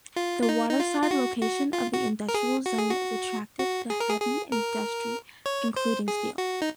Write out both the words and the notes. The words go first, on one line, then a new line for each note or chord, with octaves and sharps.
The waterside location of the industrial zone is attractive to heavy industry including steel.
F4
F4
D#4
D#4
F4
F4
F#4
F#4
F4
F#4
A#4
G#4
F#4
G#4
F#4
F#4
G#4
A#4
G#4
G#4
A#4
C#5
C5
G#4
F#4
D#4